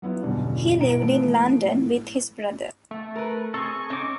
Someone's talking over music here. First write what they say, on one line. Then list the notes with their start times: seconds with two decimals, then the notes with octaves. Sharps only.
He lived in London with his brother.
0.02 F#3 B3 E4 F4
0.23 E2 G2 B2 D3 G3 C#4
0.80 B2 E4 A#5 D7
1.02 E3 F3 A3 B3
1.63 A2
2.91 A3
3.16 A#4 B4
3.54 C4 G#4 A4 C#6
3.90 C4 C#4 D#4 D6